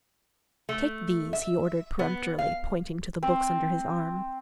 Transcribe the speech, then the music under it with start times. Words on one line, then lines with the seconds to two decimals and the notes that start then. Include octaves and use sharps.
"Take these!" he ordered peremptorily, pointing to the books under his arm.
0.69 A3
1.33 E5
1.99 B3
2.38 F5
3.23 C4